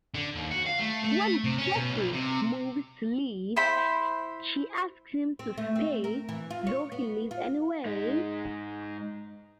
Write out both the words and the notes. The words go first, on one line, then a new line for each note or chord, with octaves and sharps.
When Jeffrey moves to leave, she asks him to stay, though he leaves anyway.
D3
D#2
F#4
F5
A3
A3
C3
C#4
B2
B1
C3
E4 C5 B5
C4
A3
C4
A#4
E3
F4
C#5
B3
F4
G#2 D#4